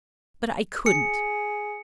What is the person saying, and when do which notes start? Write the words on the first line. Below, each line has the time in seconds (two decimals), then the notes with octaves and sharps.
But I couldn't!
0.86 G#4 C#7